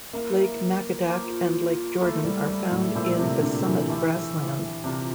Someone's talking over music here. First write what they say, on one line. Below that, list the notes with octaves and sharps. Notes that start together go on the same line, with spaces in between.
Lake Macadac and Lake Jordan are found in the summit grassland.
A#3 E4 A#4 F5
F3 A#3 F4 C5
A3 A#3 E4 A4
G3
G3
A2
A#2 A3 C4 E4 G4
C3
D3
E3
A3 E4 G4
C3 D4 F4 A#4